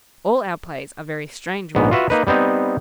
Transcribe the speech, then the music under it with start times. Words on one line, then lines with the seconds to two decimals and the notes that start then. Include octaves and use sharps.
All our plays are very strange ones.
1.75 A#1 G#2 B3
1.91 F4 F#4 B4 E5
2.10 A#3 D#4 B4
2.27 G3 B3 C4 D#4